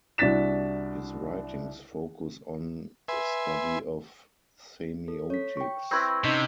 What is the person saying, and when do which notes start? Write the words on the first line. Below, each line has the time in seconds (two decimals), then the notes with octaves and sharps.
His writings focus on the study of Semiotics.
0.18 C2 D4 F#4 A6 B6 E7
3.08 B4 E5 G#5 C6
5.08 A4
5.30 C#5 B6
5.57 G5 C#6
5.91 C4 E4 B4 C#6 E6 A#6
6.24 C3 C#4 D#4 D#5